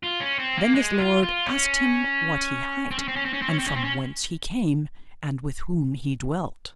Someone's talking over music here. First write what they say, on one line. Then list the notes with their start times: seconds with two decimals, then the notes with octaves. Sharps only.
Then this lord asked him what he hight, and from whence he came, and with whom he dwelt.
0.03 F4
0.21 C#4
0.39 C4
0.57 A#3
0.75 G#3
0.99 F4
1.23 F4
1.46 C#4
2.91 C4
2.99 C#4
3.08 C4
3.16 C#4
3.25 C4
3.33 C#4
3.42 C4
3.50 C#4
3.59 C4
3.68 C#4
3.76 C4
3.85 C#4